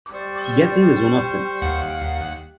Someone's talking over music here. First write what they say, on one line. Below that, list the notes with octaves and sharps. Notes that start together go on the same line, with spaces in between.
Guessing is one of them.
G3 C5 D5 C#6
D#2 F5 F#5